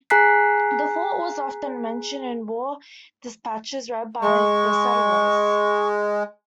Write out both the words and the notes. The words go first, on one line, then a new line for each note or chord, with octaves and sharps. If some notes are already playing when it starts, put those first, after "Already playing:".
The fort was often mentioned in war dispatches read by the settlers.
G#4 G#5 A#5 F#6 B6 C7
G#3 C#6